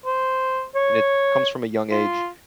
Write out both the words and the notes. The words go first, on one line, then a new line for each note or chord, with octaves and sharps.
and it comes from a young age-
C5
C#5
F4